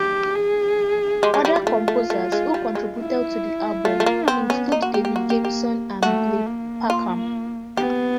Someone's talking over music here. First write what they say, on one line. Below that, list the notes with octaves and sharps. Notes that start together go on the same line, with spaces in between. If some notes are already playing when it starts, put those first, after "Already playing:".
Other composers who contributed to the album include David Gamson and Blair Packham.
Already playing: G3 G4
G#4
G#3 G4
G#3
G3
G3
A3 F4
A3
A3
G#3
G3
G#3
E4
A3 F4
A3
A#3
B3 C4
C#4
A#3 D#4
F#4
G4
G4
F#4
G4
G4
A3 F#4
A#3
F4
B3 G4